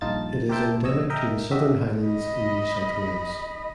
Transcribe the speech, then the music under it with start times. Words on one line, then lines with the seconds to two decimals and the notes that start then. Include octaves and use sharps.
It is endemic to the Southern Highlands in New South Wales.
0.01 A#1 G2 D#4 F4 A5 A6
0.49 G4 A#4 C5 E5 G5 A5
0.83 A#1 C#5 D#5 E6
1.10 A#4 D#5 E5 G5
1.51 F#4 G4 D#5 E5
2.06 D#5 B5